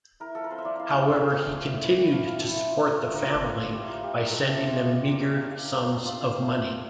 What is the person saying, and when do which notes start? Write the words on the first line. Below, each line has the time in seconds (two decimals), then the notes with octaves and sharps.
However, he continued to support the family by sending them meager sums of money.
0.20 E4 A#4
0.35 F3 A4
0.44 A#4
0.50 C4 C5
0.58 E5
0.65 F3 D5
0.79 E4 F5
0.94 F3 G5
1.09 C4 F5
1.23 F3 F5
1.38 A3 G5
1.54 A3
1.68 E4
1.83 E4
1.97 A3 G5
2.12 A3 F5
2.27 E4 F5
2.41 E4 A4
2.56 F4 A4
2.71 F3
2.86 A#3 A#4
3.00 F3
3.15 F4 A#4
3.22 C5
3.29 F3 A#4
3.45 A#3
3.59 F3
3.74 E4 G4
3.89 F3 F4
4.03 A3 G4
4.18 F3 G4
4.27 A#4
4.32 E4 A4
4.48 F3 A4
4.62 A3 F4
4.77 F3 G4
4.92 F4 G4
5.06 A#3 G4
5.21 D4 C5
5.36 A#3 F5
5.50 F4 F5
5.65 A#3
5.80 D4 G4
5.94 A#3 F4
6.05 C4 F4 G4
6.25 F3
6.39 A3
6.54 F3
6.68 C4 F4